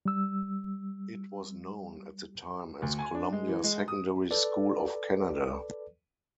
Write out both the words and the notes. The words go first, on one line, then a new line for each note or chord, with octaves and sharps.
It was known at the time as Columbia Secondary School of Canada.
G3 E6
D2
G#5
D4
G#3
E3
G#3
D#6
A4 B4 D5